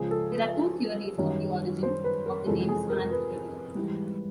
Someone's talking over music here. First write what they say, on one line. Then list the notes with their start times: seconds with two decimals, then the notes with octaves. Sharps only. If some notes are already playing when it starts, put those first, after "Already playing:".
There are two theories of the origin of the name "Swan River".
Already playing: C#2 C#3 F3 G#3 G#4
0.11 A4
0.32 B4
1.18 F#2 D#3 G3
1.83 C5
2.04 B4
2.26 A#4
2.46 F2 C3 E3 G#3 A4
2.69 G#4
2.90 A#4
3.11 B4
3.75 G#2 E3 G3